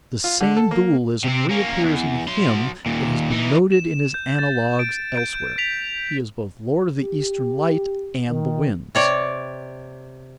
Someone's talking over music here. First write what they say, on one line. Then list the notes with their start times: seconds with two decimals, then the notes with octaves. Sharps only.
The same dualism reappears in him that has been noted in his analogues elsewhere; He is both lord of the eastern light and the winds.
0.24 F4
0.41 D3
0.57 A4
0.71 A#3
1.24 C3 C4
1.51 A#3 C#4
1.82 E2
2.28 F#3 C6
2.86 D#2 A#2
3.31 E3 D#4
3.72 E7
4.14 G6
4.35 G6 A6
4.79 D7
5.16 G6 D7
5.58 B6 F7
6.98 G4
8.29 D#3
8.95 C3 C#5 D5